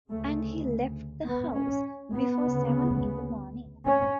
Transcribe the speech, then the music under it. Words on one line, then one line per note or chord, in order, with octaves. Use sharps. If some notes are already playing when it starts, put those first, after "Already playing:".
And he left the house before seven in the morning.
D2 C#3 A3
B3
C#4
B3
D2 C#3
C#4